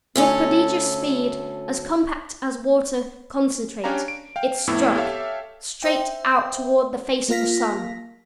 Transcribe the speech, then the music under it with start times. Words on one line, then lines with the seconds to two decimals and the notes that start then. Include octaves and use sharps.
With prodigious speed, as compact as water, CONCENTRATE, it struck--straight out toward the face of the sun.
0.16 D2 C#4 A4
3.84 C#4 D4 G4 C#5 F5 A#5
4.08 D7
4.36 F5 G5
4.67 F2 A2 B3 E4 E6
4.95 G4 A4 C#5 E5 F5
5.83 C5 E5 G5
7.28 A#3 F4 A#4 F5 A#6 B6